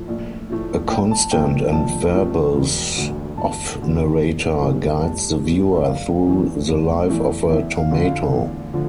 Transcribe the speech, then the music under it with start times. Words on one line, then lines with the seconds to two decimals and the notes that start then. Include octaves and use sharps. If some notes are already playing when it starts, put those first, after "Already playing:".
A constant and verbose off-narrator guides the viewer through the life of a tomato.
Already playing: A2 F3 A3
0.08 A#1
0.50 A2 F3 A3
0.90 A#1 G5
1.11 A5
1.31 A#2 F3 A3 G5
1.72 A#1 A5
2.14 A#2 F3 A3
2.55 E1
2.96 D2 D3
3.37 E1 A5
3.79 D2 D3
4.20 G1
4.62 G2 E3 A3
5.02 G1 A5
5.44 G2 E3 A3
5.73 E5
5.85 F1 F5
6.27 E2 E3 A3
6.68 F1
7.09 E2 E3 A3
7.49 E2 E5
7.78 F5
7.91 D3 F3 A3
8.05 F5
8.33 E2
8.73 D3 F3